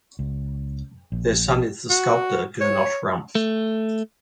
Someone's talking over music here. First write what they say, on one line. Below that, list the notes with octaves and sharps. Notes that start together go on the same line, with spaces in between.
Their son is the sculptor Gernot Rumpf.
C#2
A#1
F#4
C#5
A3